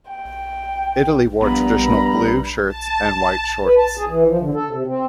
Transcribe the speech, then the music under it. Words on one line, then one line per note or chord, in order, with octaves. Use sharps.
Italy wore traditional blue shirts and white shorts.
G5
A#1 G2 B3 A#5 B5
A5
B4
A5
G#4
E3
F3
D3
A4
C3
C4